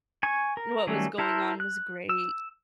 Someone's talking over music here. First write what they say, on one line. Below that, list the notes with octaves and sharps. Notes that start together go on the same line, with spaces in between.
what was going on was great.
G#5 C#6
A#4
D#3 F#3 G3 A3 C#4
E4 A4 A#4 C5
F#6
E6